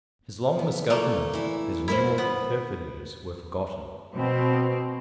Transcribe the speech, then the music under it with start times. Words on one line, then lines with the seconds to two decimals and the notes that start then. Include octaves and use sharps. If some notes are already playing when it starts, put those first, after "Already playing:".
His long misgovernment, his innumerable perfidies, were forgotten.
0.59 B3
0.90 A3 A#3 D4 E4
1.34 E3 E4
1.88 D#2 E4 A#4 C5
2.18 B3
4.16 B2 C4